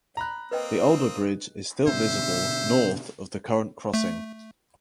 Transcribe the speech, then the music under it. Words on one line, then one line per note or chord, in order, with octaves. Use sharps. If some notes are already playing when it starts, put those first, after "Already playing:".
The older bridge is still visible north of the current crossing.
A#5 B5 F#6
A#3 C4 B4 D#5 G5 D#6
B2 D3 C5 E5
A3